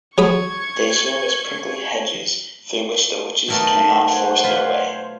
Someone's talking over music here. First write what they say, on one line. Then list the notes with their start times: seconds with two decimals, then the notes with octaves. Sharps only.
They serve as prickly hedges through which the witches cannot force their way.
0.18 F#3 G#4 B5 C#6 G#6
3.48 B2 F#3 A3 D#4 A#4 A5
4.08 C5 C#5 F#5
4.44 F4 B4